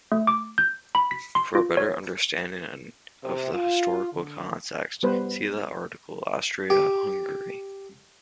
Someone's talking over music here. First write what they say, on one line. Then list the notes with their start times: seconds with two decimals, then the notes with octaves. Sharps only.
For a better understanding of the historical context, see the article Austria-Hungary.
0.12 A3
0.27 D6
0.58 G6
0.95 B5
1.11 B6
1.35 C6
1.55 F4
1.77 C#5
3.23 C3
3.54 F4
4.13 D3
5.03 G3 B3 B4 C5
6.70 G4